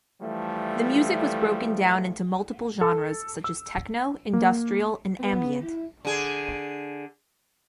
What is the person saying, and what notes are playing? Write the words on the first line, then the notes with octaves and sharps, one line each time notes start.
The music was broken down into multiple genres such as techno, industrial, and ambient.
E3 F3 G3 A3
A4
E6
A#3
B3
E4
D3 G#4